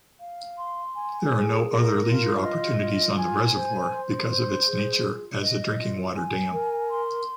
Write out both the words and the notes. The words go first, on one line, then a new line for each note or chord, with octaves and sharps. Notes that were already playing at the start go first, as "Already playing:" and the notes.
There are no other leisure opportunities on the reservoir because of its nature as a drinking water dam.
F5
C6
G#5
G#4
A#4
F4
D#5
F4
G#5
C5
C6
C5
G#4
F4
D#5
F4
G#5
A#4
C6